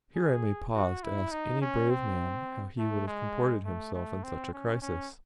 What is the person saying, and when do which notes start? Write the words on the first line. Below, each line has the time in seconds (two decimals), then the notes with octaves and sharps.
Here I may pause to ask any brave man how he would have comported himself in such a crisis.
0.16 G#4
0.74 F#4
1.04 E4
1.32 D#4
1.61 C#4
1.90 C4
2.78 A3
3.07 G#3
3.66 A3
3.94 A3
4.24 C4
4.53 C#4
4.82 C#4